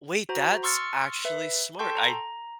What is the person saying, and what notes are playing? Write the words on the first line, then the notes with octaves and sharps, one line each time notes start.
Wait, that's actually smart. I
F#4 C5 A#5
C6 C#6 E6 F6 A6 C#7
B4 E5
A4 G5 A5 C6 C#6 G6
A#5